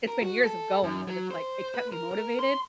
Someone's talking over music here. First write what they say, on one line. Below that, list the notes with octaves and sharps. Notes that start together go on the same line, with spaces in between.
it's been years of going, but it's like it kept me motivated,
A#4
F#4
A4
F#2
F#3
C5
B4
A#4
A#4
C6